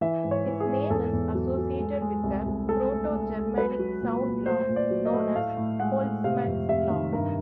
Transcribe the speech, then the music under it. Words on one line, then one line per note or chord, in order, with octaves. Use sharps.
His name is associated with a Proto-Germanic sound law known as Holtzmann's Law.
E3 E5
G#2
C#5
E3
G#4
G#2
E2 A4
E2
F#3
F#3
G#3
G#3
C2
C2
G#3 A4
D2
G#3
G#3
F#3 B4
F#3
A#2
A#2
A3 C5
A#2
D5
F#3
D#5
A3
A2 F5
A2
G#3 F#5
A2
C3 F5
F2
C3 E5
D#3
G2 A#4